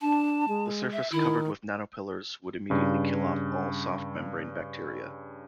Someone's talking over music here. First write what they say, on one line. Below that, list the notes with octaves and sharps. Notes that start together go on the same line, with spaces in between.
A surface covered with nanopillars would immediately kill off all soft membrane bacteria.
D4 A5
G#3
E5
D#3 E4
G2 C#3